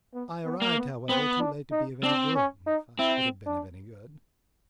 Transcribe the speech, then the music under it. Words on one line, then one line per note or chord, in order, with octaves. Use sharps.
I arrived, however, too late to be of any good if I could have been of any good.
B3
B3
A#3
B3
B3 C4
D4
D#4
C4 D4
C#4
D#4
C4 E4
D4